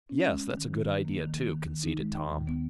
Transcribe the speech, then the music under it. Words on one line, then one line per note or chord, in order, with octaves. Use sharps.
"Yes, that's a good idea, too," conceded Tom.
C#4
G#3
G#3
D#3
D#3
D#3
A#3
D#3
A#3
D#3
D#3
D#4
G#3
D#2
D#3
B3